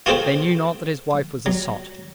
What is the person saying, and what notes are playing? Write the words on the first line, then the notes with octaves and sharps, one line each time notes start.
They knew not that his wife was a sot.
F4 F#4 G#4 A4 C5 G5
F#3